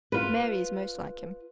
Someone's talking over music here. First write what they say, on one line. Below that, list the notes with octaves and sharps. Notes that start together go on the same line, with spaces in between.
Mary is most like him.
F4 B4